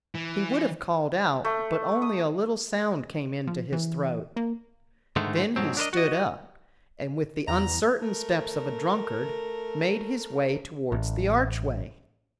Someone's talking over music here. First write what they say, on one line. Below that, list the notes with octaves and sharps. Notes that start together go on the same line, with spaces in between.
He would have called out, but only a little sound came into his throat. Then he stood up, and, with the uncertain steps of a drunkard, made his way towards the archway.
E3
A3
D#6
F3
E3
A#3
G#2 D3 D#3 G#3 A3
G#2 B2 F#3 C4
D4 A#4 C5 D#5
F#4 D#5
E2 A#5
A3 A#4
A1